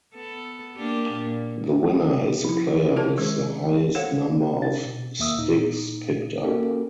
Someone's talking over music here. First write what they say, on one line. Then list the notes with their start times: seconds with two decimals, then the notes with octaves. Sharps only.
The winner is the player with the highest number of sticks picked up.
0.15 B3 A4
0.77 A#3 D4 G4
1.11 A#2
2.45 F3 E4
2.96 F4 A#4 C#5 A5
3.17 D#3 G#3 C5
3.95 A4 C5 C#5 F5 F#5
4.61 D4 A6
4.85 B2
5.19 D#2 A#3 E5 D#6 E6
5.38 A#2 D#4
6.44 A#3 C#4 F#4 G4 A4 A#4